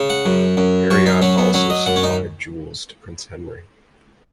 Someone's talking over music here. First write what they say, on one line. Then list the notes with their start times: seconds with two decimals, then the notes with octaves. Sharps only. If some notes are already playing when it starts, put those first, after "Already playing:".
Heriot also supplied jewels to Prince Henry.
Already playing: C#3
0.10 F#5
0.25 F#2
0.57 F#2
0.90 F#2 C#5
1.06 D#4
1.22 F#3 C#4
1.38 B3
1.54 F#3 C#4
1.70 D#5
1.86 F#2 F#5
1.96 C#4
2.03 D#4